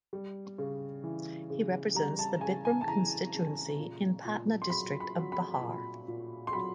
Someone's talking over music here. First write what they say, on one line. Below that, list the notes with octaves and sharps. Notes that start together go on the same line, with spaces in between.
He represents the Bikram constituency in Patna district of Bihar.
G3
C#3
E3
C#3
G3 A#5
A5
C#3 G#5
G#5
A5
E3 A#5
C#3
A#2
A#2
C6
F#3 B5
B5
F#3
B5
A#2
A#2
C6
F#3 B5